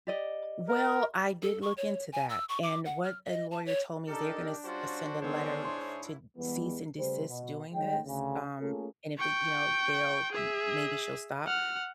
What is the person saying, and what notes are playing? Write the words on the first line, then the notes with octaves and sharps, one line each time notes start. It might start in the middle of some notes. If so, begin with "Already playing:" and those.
Well, I did look into that, and what a lawyer told me is they're gonna s send a letter f to cease and desist doing this. Um, and if they, you know, they'll y maybe she'll stop.
G4 D5 D#5
A#4
A4
C#6
C#5
G#5
E6
C#6
D6
F#5
F6
D#5
A5
C#5
D4 D#4 G4 A4 A#4
G3 C#4 F4 F#4 C5
D#3 G3 G#3 B3 C4 G#4 C5 C#5
G#2 E4 C6
E2 E3 G3 G#3 B3
C#3 G3 A3 B4 C5
B2
D#3 G#3 C#5 D#5 F#5 G5
D2 C#3
A3 A#3 C#4 F4 G#4 A4
G5 C#6
G#4 E5
F#5 F6